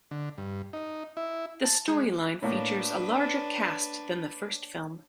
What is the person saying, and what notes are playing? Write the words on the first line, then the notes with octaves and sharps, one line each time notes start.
The storyline features a larger cast than the first film.
D3
G2
D#4
E4
A5
G#3
A2 A#3 D4 B4